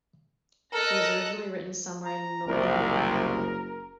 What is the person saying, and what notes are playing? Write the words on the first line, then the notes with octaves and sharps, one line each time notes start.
It was originally written somewhere in northern England.
A4 A#4 D#5 F#6 A#6
A#5
F#1 C2 A#4